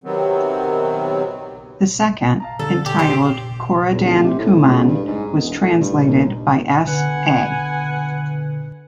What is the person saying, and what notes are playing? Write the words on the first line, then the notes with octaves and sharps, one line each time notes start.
The second, entitled "Kurudan Kooman" was translated by S. A.
C3 D#3 F#3 B3 C4
F5 A5 A#5
D3 A4 E6
G4
C4 G4
E2
D1
C3
A2
C#2
G2
G#2
E1
A2
G2
D#2
D3 B3 F#5 G#5